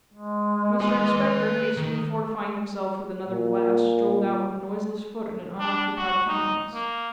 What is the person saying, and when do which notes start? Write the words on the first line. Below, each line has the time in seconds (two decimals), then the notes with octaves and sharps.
Mr Inspector, hastily fortifying himself with another glass, strolled out with a noiseless foot and an unoccupied countenance.
0.14 G#3
0.81 B4 G#5
1.77 D#3
3.29 A#2
5.60 D4
5.97 F#4
6.27 D#4
6.74 A#3